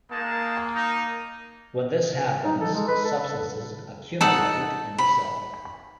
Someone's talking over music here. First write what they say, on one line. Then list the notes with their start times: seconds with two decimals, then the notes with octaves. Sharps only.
When this happens, substances accumulate in the cell.
0.11 G#3 A#3 D#4 A5
0.75 D#4
2.44 D#4
2.61 A4
2.74 G#3
2.88 B4
3.04 A4
3.23 A4
4.21 D#4 A4 F#5 A5
4.98 B5